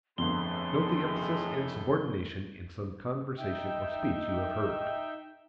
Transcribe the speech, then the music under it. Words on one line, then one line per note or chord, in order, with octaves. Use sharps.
Note the emphasis and subordination in some conversation or speech you have heard.
G1 F2 A2 G#3 C6 G7
D#4 E5 G5